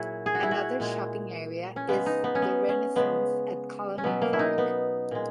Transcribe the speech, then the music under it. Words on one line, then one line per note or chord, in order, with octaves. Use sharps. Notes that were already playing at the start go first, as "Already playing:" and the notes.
Another shopping area is the Renaissance at Colony Park.
Already playing: A#2 F#3 E4 F#4 G#4 A#4
G#4
F#4
E4
F#4
A#2 G#3
C#4
C#3 G#3 B3
D#4
B3
C#4
B3
C#4
C#3 G#3 B3
C#4
B2 F#3 B3
A#3
E4
D#4
B3
A#2 G#3